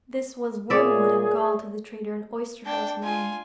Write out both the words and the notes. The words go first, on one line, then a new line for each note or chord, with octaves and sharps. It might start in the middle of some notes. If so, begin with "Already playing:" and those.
This was wormwood and gall to the trader and oyster-house man.
A#2 G#4 C#5 D5 E5
D4 G5
F4 G#5